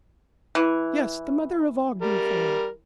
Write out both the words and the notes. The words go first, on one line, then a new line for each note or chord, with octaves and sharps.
Yes, the mother of Ogden Ford.
E3
G3 A#4